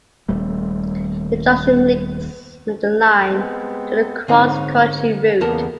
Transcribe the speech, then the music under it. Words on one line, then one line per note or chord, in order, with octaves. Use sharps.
The junction links the line to the Cross Country Route.
D#1 G3 A3
G#3 B3 C4
G#2 D3 C4 D#4 C#5
E2 C#3 A#3 B3 A#4 A5